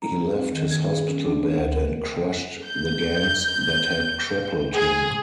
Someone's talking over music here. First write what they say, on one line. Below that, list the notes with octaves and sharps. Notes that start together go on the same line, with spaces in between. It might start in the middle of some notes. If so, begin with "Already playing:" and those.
He left his hospital bed and crushed the gangs that had crippled him.
A#5
G#4
C4
D#3
G#6
G#4
C#4
D4
D2
A#4
G6
G#4